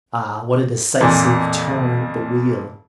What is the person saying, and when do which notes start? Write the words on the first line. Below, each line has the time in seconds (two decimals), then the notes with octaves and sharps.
Ah, what a decisive turn of the wheel!
1.01 F2 A#2 E3